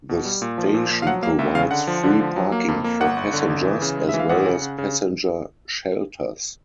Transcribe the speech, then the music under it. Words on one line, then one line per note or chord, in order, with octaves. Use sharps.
The station provides free parking for passengers, as well as passenger shelters.
B2
G3
A#2
F3
A#2
F3
F5
F#3 F#5
A#3 F5
C#2 E5
C#3 F5
D3 F#5
F3
D3
F3
F#3
A#3
F2
A#3
G1 F#5
G1
D3
G1
E3
C#3
G#3
E3 E5
F5
G#1 F#5
C#3
C#3
C#3